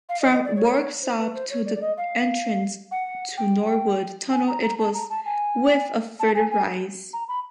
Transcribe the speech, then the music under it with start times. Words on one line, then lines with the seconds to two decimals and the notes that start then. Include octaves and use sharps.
From Worksop to the entrance to Norwood Tunnel it was with a further rise.
0.09 F5
0.21 D#5
0.32 D#5
0.44 D5
0.56 C#5
1.03 C5
1.19 B4
1.34 C5
1.50 C#5
1.66 D5
1.76 D5
1.81 D#5
1.97 F5
2.91 F#5
3.37 G5
4.32 G#5
4.48 A#5
4.63 A#5
4.79 A5
4.94 A#5
5.10 A5
5.26 G#5
6.19 A5
6.35 G#5
6.51 G#5
7.13 A#5
7.28 B5